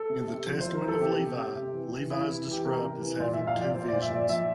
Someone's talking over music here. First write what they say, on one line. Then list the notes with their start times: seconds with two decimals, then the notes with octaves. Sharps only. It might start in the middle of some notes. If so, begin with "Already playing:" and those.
In the "Testament of Levi", Levi is described as having had two visions.
Already playing: A4
0.10 C3
0.28 C3
0.46 F3
0.61 F3 C5
0.75 A#4
0.83 F3
0.88 A4
1.01 C3 G4
1.19 C3
1.38 C3
1.55 C3
1.74 E3
1.92 E3
2.10 C3 E4
2.28 E3
2.47 E3 G4
2.65 C3 A#4
2.83 C3
3.01 E3
3.20 A#2 D5
3.34 A#2 E5
3.47 F5
3.56 F3 D5
3.74 F3 C5
3.88 A#2 D5
4.02 E5
4.10 A#2
4.16 D5
4.29 F3 E5